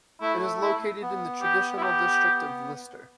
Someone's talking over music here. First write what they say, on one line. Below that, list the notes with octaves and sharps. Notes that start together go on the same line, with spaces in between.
It is located in the traditional district of Lister.
A3 E4
E4
B3
G4
E4
G4